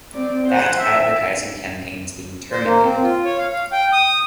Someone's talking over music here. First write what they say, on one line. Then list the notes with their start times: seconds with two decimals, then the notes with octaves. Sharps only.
That advertising campaign is being terminated.
0.14 C4 D5
0.47 C5 F#5
0.81 E5
2.51 C5
2.66 A#3
2.84 C4
3.03 F4
3.25 C#5
3.38 F5
3.53 F5
3.72 G5
3.92 D#6